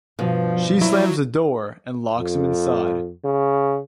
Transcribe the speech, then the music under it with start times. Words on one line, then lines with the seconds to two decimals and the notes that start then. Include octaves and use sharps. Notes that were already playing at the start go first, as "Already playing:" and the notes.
She slams the door and locks him inside.
0.19 G2 B2 F3
0.81 F#3 E4
2.19 F2
3.25 C#3